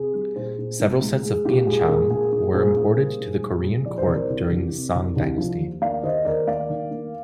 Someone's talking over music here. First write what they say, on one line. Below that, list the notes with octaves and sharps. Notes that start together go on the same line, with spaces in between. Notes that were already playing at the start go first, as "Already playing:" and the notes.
Several sets of "bianzhong" were imported to the Korean court during the Song Dynasty.
Already playing: C3 G#4
G3
A#2 G#4 C5
A#2
A#2
G#3
G#3 G#4
A#2 G4
G#3 G#4
A#4
A#2 G#4
A#3 G#4
A#3
A#2 G#4 C5
A#3
G3
A#2
G3
A#2
F3 D5
C5
C2 A#4 D5
C2
C2
C3
C2
C2
F3
D#2
A#3 D5 F5
D#2 C5 D#5
D#2 A#4 D5
A#3 D5 F5
D#3
A#3